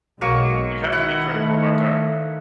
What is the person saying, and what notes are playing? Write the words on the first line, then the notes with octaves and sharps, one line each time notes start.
you have to be critical about that.
B1 F#3 G#3 A#3 C#6
D#3 E4 F#5
A3